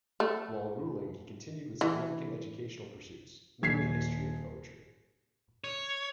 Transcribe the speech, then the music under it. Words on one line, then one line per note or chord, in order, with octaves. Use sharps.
While ruling, he continued with significant educational pursuits, mainly history and poetry.
A3
E3
D#1 G#6 B6 C7
C#5